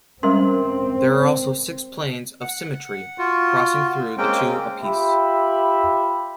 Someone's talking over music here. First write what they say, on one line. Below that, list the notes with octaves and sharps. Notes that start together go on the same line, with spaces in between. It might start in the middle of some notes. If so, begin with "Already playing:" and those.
There are also six planes of symmetry crossing through the two apices.
G3 G#3 C4 C#4 A#4 C6
F#5
F4 F#4
G#3 A#3 C4 C#4 G5
F4 G4 E5 B5